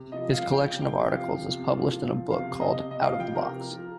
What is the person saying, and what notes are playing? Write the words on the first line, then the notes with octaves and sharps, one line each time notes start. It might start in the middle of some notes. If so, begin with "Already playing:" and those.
His collection of articles is published in a book called Out of the Box.
Already playing: C3
F3 D#5
F3 F5
F3 G5
C3
G5
C3
F3 F5
F3
C3
F3
F3
F3
C3 F5
C3
D#5
C3
C3 D#5
F3 F5
G5
C3 A#4
F3
F3